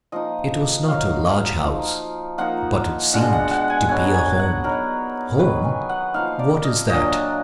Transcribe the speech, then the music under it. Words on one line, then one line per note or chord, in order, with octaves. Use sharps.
It was not a large house, but it seemed to be a home. Home!--what is that?
F3 A#3 D#4 D#5
F#3 A#3 D#4 F5
F3 A#3 D#4
F3 A#3 D#4 F#5
B2 G#3 D4 F4 F#5
F#5
F#5
G#5
B2 F#3 B3 G#5
G#5
F#5
F#3 B3 D#4 A#4
D#3 F#3 B3 B4
G#5
F#5
F3 A#3 D#4 F5
D5
D#5
A#2 F#3 A#3 D4 D#5